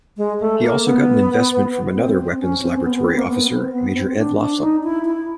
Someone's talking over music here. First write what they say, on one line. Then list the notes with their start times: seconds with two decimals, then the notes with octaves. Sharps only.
He also got an investment from another Weapons Laboratory officer, Major Ed Laughlin.
0.17 G#3
0.40 A3
0.62 A#3
0.85 B3
1.95 C4
2.39 C#4
2.62 C4
2.84 B3
2.96 B3
3.06 C4
3.18 A#3
3.28 B3
3.50 C4
3.72 B3
3.94 C4
4.17 D4
4.39 D4
4.61 D#4
4.83 E4
5.05 E4